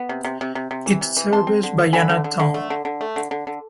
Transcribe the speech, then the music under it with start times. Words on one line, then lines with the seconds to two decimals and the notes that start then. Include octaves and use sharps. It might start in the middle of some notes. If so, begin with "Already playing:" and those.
It serves Bayana town.
Already playing: B3
0.09 C3
0.25 C3
0.41 C3
0.55 C3
0.71 C3
0.86 E3
1.01 C3
1.17 E3
1.32 C4 A5 C6
1.47 C4
1.63 D3
1.79 A3
1.93 D3 G#5 B5
2.09 D3
2.24 D3
2.40 D3
2.54 A3
2.70 D3
2.85 D3
3.01 A3
3.16 D3
3.31 D3
3.47 D3